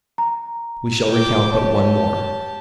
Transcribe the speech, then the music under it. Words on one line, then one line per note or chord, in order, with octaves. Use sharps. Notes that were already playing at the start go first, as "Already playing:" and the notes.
We shall recount but one more.
A#5
G5 D6
G4 C#5 A5